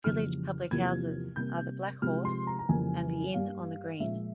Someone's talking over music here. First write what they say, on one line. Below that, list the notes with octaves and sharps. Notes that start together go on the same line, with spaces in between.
Village public houses are the Black Horse and the Inn on the Green.
F2 C#3 E3 G3 A#3 F6
E2 C3 F3 A#3 G#6
C3 G3 A#3 G6
C3 F3 G#3 F6
C6
A#5
A#5
F2 C#3 E3 G3 A#3 G#5
G2 G3 A#3 F5
A#2 F3 G#3 E5